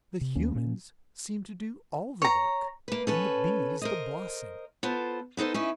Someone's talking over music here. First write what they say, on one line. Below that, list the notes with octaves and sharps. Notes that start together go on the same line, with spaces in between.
"The humans seem to do all the work, and the bees the bossing!"
C3
D#2 D#3 A#3 C#4
A#2 A#3 C#4
C#5 A#5
A#3 B4
C#4 A4 B4
A#4 C5 D#5
B3 F4 A4 C5
B3 D#4 A4 C5 D#5
C#4 D#4 E4